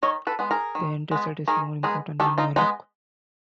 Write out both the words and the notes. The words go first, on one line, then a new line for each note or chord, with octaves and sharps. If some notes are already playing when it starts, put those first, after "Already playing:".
The end result is more important than your look.
D#3 C#5 D#5
A4 B4
G#3 B3
G#4 A#4
D#3
G#3 B3
D#3 G#4 A#4
G#3 B3 G#4 A#4
D#3 G4 A4
D#4 F4
G#3 B3 D#4